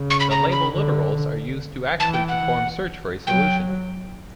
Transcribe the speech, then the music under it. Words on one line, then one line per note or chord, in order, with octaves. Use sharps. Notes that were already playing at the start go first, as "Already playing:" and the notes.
The label literals are used to actually perform search for a solution.
Already playing: C#3
C#6
B5
A#5
B5
D3
E3 A5
G5
F#5
F#3 G5